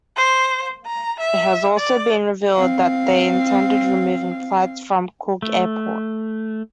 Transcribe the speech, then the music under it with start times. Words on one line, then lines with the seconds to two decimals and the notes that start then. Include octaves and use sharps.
It has also been revealed that they intended removing flights from Cork Airport.
0.17 C5
0.86 A#5
1.20 E5
1.78 D5
2.56 C4 F5
5.42 A3